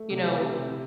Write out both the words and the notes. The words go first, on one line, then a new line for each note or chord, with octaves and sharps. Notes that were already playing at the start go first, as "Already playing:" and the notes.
you know,
Already playing: A3
C3
C3
C3